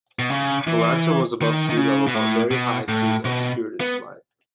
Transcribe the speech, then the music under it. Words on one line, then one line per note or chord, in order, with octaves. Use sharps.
The lantern was above sea level but very high seas obscured its light.
B2
C#3
E3
D#3
D#3
C#3
B2
A2
B2
A2
B2
B3